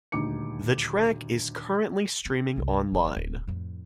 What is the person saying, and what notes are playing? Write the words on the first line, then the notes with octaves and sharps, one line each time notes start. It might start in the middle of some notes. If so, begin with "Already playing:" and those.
The track is currently streaming online.
D#1 D2 D#4 D6 C#7
C4
F1 C2
F#1 F#3
D1
F2 A2